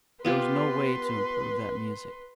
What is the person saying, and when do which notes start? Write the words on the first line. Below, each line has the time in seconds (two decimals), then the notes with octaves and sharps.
There was no way to improve that music.
0.25 B3 F4 G4 B4 C6